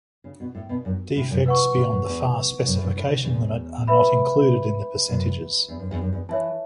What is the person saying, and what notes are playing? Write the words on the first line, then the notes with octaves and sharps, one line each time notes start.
Defects beyond the far specification limit are not included in the percentages.
C#3
B2
A2
B2
F#2
A2
F#2
A2 B4 F#5 C#6
A2
F#2
E2
F#2
A2
F#2
A2
F#2
E2
B4 E5 B5
F#2
E2
F#2
E2
F#2
E2
E3 C#5 E5 A5